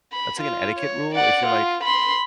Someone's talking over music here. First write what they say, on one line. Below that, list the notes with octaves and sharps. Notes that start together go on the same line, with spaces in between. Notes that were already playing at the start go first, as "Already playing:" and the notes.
that's, like, an etiquette rule, if you're, like
B5
F4
C#5
D5 F#5
F4
B5 C6